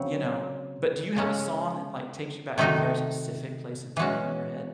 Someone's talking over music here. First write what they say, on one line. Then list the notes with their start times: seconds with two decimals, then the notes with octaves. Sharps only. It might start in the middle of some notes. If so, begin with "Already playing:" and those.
you know, but do you have a song that, like, takes you back to a very specific place and time in your head?
Already playing: C#3 F#3 C4
1.16 C#3 G#3 C#4
2.58 C3 D#3 A3 D#4 F#4
3.97 E3 G#3 C#4 F#4